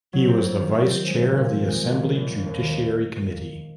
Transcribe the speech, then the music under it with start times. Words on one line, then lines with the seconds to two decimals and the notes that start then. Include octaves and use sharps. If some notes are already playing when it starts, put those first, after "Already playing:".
He was the Vice Chair of the Assembly Judiciary Committee.
0.13 F#3
0.28 C4
0.43 F2
0.60 D#3
0.74 F#3
0.90 C4
1.07 G#3
1.22 A#2
1.38 A#2
1.52 F3
1.68 G#3
1.84 A#2
2.00 D#3
2.15 F1
2.30 F1
2.46 D#2
2.61 D#3